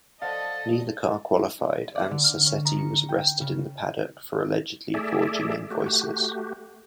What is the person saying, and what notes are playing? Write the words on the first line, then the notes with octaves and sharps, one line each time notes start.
Neither car qualified and Sassetti was arrested in the paddock for allegedly forging invoices.
A4 C5 D5 D#5 F5 F#5 A5
D5
D3
F6
C#4
A#5
C#7
G5
C#3
A3 G#4 D5 E5
A3 F#4 G4